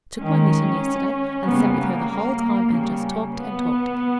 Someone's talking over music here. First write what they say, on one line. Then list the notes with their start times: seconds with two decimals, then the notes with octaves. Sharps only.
I took my knitting yesterday, and sat with her the whole time and just talked and talked.
0.16 D#3 G#3 C#4
1.43 C#3 G3 A#3 B3
1.75 A#3
2.70 C#3 G3 A#3
3.34 B3